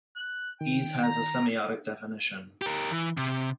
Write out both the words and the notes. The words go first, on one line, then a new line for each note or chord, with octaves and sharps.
Ease has a semiotic definition.
F#6
D#3 G5
A#5
G4 A#4
E3
C3